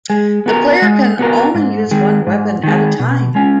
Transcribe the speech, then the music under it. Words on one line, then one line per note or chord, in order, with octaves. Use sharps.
The player can only use one weapon at a time.
G#3
B3 F#4 A#4
G#3
B3 F#4 A#4
G#2
D#3 G#3
G#2
D#3 G#3
B2
G#3 C#4